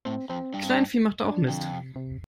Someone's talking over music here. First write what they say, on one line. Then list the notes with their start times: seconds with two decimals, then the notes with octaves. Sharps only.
Kleinvieh macht auch Mist.
0.05 A2 C4
0.30 F2 C4
0.53 G2 D4
0.65 C4
0.70 D4
1.25 D4
1.49 F2 D3
1.72 C3
1.96 C3